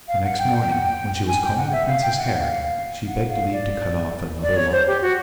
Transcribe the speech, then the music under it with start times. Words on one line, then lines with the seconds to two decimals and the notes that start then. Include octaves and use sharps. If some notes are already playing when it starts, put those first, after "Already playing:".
The next morning, when she was combing the princess's hair, she begged leave to cut off another lock.
0.08 F5
0.24 F#5
0.39 G5
0.60 G5
0.72 F#5
0.83 G5
1.28 G#5
1.43 G5
1.57 F#5
1.72 E5
1.87 F5
2.03 G5
2.18 F#5
2.40 F5
2.62 F5
3.07 F#5
3.30 F5
3.53 D5
4.42 D5
4.56 C#5
4.72 C5
4.87 G4
5.02 F#4